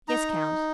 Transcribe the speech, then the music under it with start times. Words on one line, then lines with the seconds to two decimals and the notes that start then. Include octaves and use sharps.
"Yes, count."
0.08 D#4 A#5